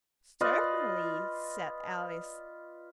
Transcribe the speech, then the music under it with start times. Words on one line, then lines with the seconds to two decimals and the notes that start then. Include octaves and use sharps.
'Certainly,' said Alice.
0.41 F4 B4 D5 D#5